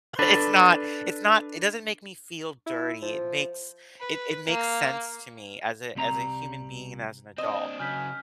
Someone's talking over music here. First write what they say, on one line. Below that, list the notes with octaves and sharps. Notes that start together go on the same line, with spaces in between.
It's not it's not it doesn't make me feel dirty, it makes it it makes sense to me as a as a human being and as an adult,
D4 A4 B4
E4
F3
B4
A#3
C2 G3 C4 A#5
C4 D4 D#5
C#3 F#3 G#5 F6 G6 B6